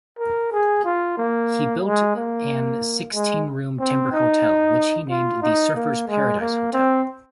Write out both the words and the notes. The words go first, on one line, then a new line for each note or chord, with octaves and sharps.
He built an sixteen room timber hotel, which he named the Surfers Paradise Hotel.
A#4
G#4
F4
A#3
G#3
A#3
G#3
C4
D#4
F4
D#4
A#3
G#3
A#3
C4